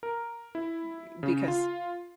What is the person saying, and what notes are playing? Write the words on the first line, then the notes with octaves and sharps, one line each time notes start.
Mm, because,
A#4
E4
C#3
F4